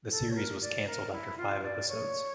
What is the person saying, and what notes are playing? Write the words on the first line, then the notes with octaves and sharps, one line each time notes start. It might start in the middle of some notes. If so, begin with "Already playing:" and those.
The series was canceled after five episodes.
A4
C#5
A#4
D5
A#4
E4
F4
D5
C#5